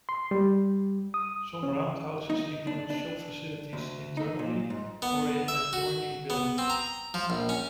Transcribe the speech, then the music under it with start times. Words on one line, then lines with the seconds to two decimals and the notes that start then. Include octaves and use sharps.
Some roundhouses include shop facilities internally or in adjoining buildings.
0.09 C6
0.31 G3
1.14 D#6
1.63 C#4
2.30 D#4
2.67 D4
2.90 D4
3.73 D2
4.17 D#4
4.39 A#2
4.70 G#2
5.02 B3
5.48 E5
5.73 F#4
6.30 B3
6.58 C4
6.70 A#5
7.14 F3
7.30 A#1
7.49 C#4